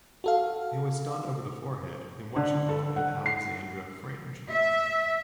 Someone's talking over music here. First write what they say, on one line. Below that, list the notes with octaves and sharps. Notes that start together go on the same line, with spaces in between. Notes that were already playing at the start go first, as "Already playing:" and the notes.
It was done over the forehead in what she called an Alexandra fringe.
F#4 A4 F5
D3
A4
F#5
C7
E5